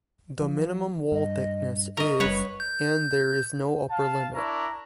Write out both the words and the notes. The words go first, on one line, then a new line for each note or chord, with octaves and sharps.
The minimum wall thickness is and there is no upper limit.
F3
G2 D#5
A#4 D#5 C#6
F#1 G3 B4 C#5 F#5
G6
F5 A5
D4 E4 A#4 A#5 C#6